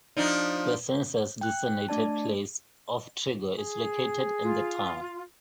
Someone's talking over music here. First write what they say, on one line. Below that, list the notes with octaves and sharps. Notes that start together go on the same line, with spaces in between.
The census-designated place of Trego is located in the town.
F3 D4 D#4
G5 F#6
A3 D4 D5 A5
G#4
F4